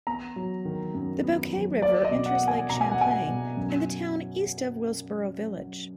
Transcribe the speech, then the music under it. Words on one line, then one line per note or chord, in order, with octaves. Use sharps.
The Boquet River enters Lake Champlain in the town east of Willsboro village.
B3 A#5
F#3
D#3
F#2
B3
F#3
A#3 D5
D#5
B2
F#5
A#3
G#5
B2 A#5
G#5
F#5
A#3 G#5
B2
F#2